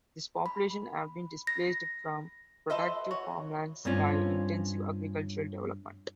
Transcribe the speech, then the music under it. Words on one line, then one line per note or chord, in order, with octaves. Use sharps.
These populations have been displaced from productive farmlands by intensive agricultural development.
B5
A#6
A4 B4 C5 D#5 E5
F#4 C#5
G2 C4 C#4 F4